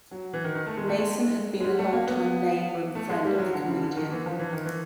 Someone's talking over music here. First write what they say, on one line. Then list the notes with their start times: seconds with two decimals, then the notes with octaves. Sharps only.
Mason had been a long-time neighbour and friend of the comedian.
0.11 F#3
0.33 E3
0.44 D#3
0.55 D#3
0.66 A3
0.77 G#3
0.88 A3
0.98 G#3
1.60 G#3
1.64 G3
1.79 A3
1.93 A#3
2.07 B3
2.95 A3
3.10 G#3
3.24 G3
3.38 F#3
3.53 D3
3.67 C#3
3.82 D3
3.97 D#3
4.12 E3
4.26 F3
4.39 E3
4.53 D#3
4.66 E3